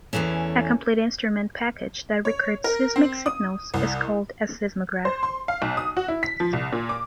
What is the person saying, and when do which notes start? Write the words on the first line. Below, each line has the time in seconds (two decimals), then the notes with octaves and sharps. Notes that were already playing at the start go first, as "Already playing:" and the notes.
A complete instrument package that records seismic signals is called a seismograph.
0.13 E2 G#2 E3 A3 C#4
2.25 C#5
2.64 A#4
2.96 C4
3.26 D#6
3.74 C2
5.05 C5
5.23 C6
5.48 F5
5.62 B1
5.77 D#6
5.97 F#4
6.08 E4
6.23 B6
6.40 F3
6.53 C2
6.72 A#2
6.89 D6